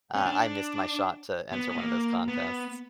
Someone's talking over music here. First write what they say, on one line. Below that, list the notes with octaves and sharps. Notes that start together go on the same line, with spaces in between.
uh, I missed my shot to enter one of those contests.
C#4
D4
B3
B3
A#3
B3